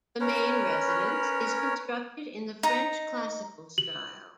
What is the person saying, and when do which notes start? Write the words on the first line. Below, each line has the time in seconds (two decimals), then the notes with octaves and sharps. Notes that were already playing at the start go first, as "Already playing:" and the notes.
The main residence is constructed in the French classical style.
0.21 C#4 A#4 B4 C#5
2.63 D#4 A#5
3.78 F#7